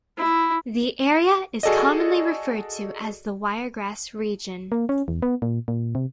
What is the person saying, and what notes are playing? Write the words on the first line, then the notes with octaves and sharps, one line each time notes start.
The area is commonly referred to as the Wiregrass Region.
E4
F#4 G#4 A4 D5 D#5
A#3
C#4
E2
B3
A#2
A#2
C3